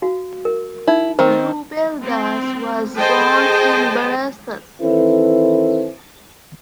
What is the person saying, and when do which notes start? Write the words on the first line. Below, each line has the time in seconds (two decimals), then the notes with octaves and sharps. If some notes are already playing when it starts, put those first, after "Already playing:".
Rubel Das was born in Barasat.
0.02 F#4 F5
0.45 A#4
0.88 D#4 E4
1.19 D#3 C4 C5
2.04 C4
2.96 G#4 A4 C5 D#5 G5 A5
4.81 D#3 E3 C4 E4 A4 B4